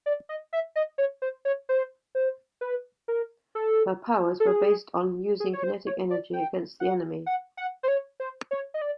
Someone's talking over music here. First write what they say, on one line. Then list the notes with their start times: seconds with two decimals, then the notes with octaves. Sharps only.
Her powers were based on using kinetic energy against the enemy.
0.06 D5
0.29 D#5
0.53 E5
0.76 D#5
0.98 C#5
1.22 C5
1.45 C#5
1.69 C5
2.15 C5
2.61 B4
3.08 A#4
3.55 A4
4.40 A4
4.47 G#4
5.40 G#4
5.53 C#5
5.64 C5
5.87 C#5
6.11 D5
6.33 G5
6.80 F#5
7.26 F#5
7.57 F#5
7.83 C5
7.88 C#5
8.20 C5
8.51 C#5
8.74 D#5
8.82 D5